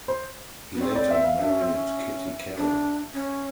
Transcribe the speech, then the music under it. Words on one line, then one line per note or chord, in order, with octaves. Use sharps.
He later married Kitty Carrol.
C5
B3
C4 C#5
D5
E5
F5
D4 E5
C#4
C4
C#4
D4
C#4